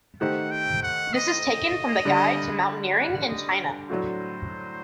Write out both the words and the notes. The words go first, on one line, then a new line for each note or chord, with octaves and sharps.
This is taken from the Guide to Mountaineering in China.
D#3 A3 D#4 G4 C5 F#5
G5
F#5
D#5
D3 G3 D4
F#5
D#5
A2 F#3 A3 D4 F#4 C5